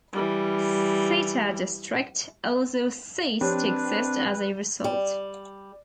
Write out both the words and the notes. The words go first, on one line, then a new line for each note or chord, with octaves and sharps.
Seta District also ceased to exist as a result.
E3 G3
F3 C4 D4 G4 B4 C#5
G3